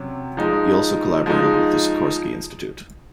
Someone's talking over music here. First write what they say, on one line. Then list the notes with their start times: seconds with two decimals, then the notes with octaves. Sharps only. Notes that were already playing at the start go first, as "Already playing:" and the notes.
He also collaborated with the Sikorski Institute.
Already playing: C3 F#3 C#4
0.37 F3 G#3 D#4
1.26 F3 G#3 D#4